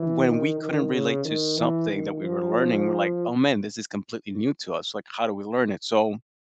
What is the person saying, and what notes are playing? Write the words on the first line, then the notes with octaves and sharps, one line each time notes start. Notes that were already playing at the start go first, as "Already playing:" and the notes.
when we couldn't relate to something that we were learning, we're like, "Oh man, this is completely new to us, like, how do we learn it?" So,
Already playing: E3
D#3
D#3
C#3
D#3
E3
D#3
F3